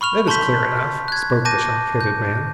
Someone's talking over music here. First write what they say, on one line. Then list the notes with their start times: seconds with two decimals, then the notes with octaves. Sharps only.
"That is clear enough," spoke the shock-headed man.
0.01 B5 C#6 F6 F7
0.27 A5 C6 C#6 G6 B6
1.08 F#6 G#6
1.45 A5 D6 G6 A#6 D#7
2.01 G6